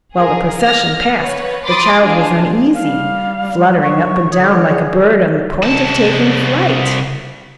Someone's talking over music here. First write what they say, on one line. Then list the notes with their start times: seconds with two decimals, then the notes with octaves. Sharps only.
While the procession passed, the child was uneasy, fluttering up and down, like a bird on the point of taking flight.
0.14 G#4 A#4
0.62 F6 A#6
1.14 B4 C#5
1.66 B5 C6 D6 D#6 A6
1.99 D4 F4 G#4
2.74 G3 F5
3.83 F#3 C#6
4.32 D3 C#5 D#6 G#6
4.69 G#4 D5
4.99 A#4
5.63 C2 A5